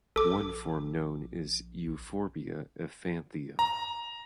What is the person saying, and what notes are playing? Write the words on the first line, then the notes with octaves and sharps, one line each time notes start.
One form known is Euphorbia 'Efanthia'.
A#1 A4 D6
A#5